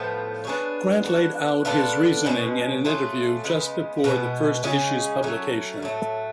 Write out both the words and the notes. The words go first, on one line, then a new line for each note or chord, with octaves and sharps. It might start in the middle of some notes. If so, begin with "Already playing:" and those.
Grant laid out his reasoning in an interview just before the first issue's publication.
Already playing: A2 F3 B3
B3 D4 G#4 C#5
B3 D4 F#4
B3 D4 F4 A4
B2 G#3 C#4
F#3 A3 F4 G#4
C#3 G#3 B3
B2 G#3 B3
C#3 G#3 C#4 G#4
F#3 A3 C#4
A2 F#3 A3